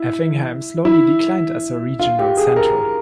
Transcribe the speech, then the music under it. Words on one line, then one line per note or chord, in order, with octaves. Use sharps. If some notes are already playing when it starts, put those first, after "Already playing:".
Effingham slowly declined as a regional centre.
Already playing: E4
E4
F4
G4
G#4
A#4